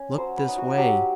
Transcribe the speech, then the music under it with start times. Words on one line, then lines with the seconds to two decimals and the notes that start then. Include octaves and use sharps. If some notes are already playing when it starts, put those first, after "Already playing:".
Look this way!
Already playing: C#4
0.18 F#3 C5
0.38 B4
0.48 D#4
0.58 F#4
0.77 F#3 G4